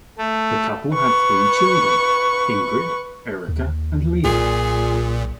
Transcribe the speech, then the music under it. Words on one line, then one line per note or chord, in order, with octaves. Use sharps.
The couple had three children: Ingrid, Erika, and Leo.
A3
B4 C#6
D#2
B1 A#2 G#4